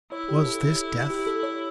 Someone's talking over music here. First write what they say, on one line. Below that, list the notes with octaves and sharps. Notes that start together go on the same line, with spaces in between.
Was this death?
E4 C#5
G4
A4
G4
A4
C#5